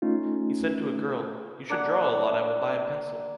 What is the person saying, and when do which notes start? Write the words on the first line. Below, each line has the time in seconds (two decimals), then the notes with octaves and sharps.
He said to a girl, “You should draw a lot I will buy a pencil”.
0.02 A3 C#4 D#4 F4
1.69 A#3 D4 G#4 F#5